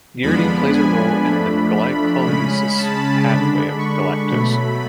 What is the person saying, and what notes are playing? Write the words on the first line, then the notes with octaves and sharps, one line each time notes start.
Uridine plays a role in the glycolysis pathway of galactose.
F2 F3 G#3 B3 D4 B5
G#5
F2 F3 A3 D4 B5
B5
C#3 G#3 C#4 B5
A5
D3 G#3 D4 B5
C#6
B2 F#3 A3 B5